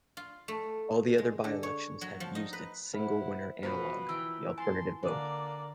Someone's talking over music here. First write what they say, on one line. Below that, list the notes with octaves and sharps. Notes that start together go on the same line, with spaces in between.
All the other by-elections have used its single-winner analogue, the alternative vote.
F4
A3
G#3
D3
C#5
F#3
F3
D#4
B4
E4 C5 F#5
B2 F3 F#4 B4 C5
E3 A#4 G5 E6
G#5 A5 C6
D3 A#3 D5